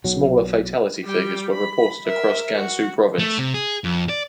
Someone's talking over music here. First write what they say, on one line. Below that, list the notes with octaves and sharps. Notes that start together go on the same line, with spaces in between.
Smaller fatality figures were reported across Gansu Province.
B1 F#3
G3 G5
B5
A#4 E5
F#4
A3
C3
G#4
F2
D5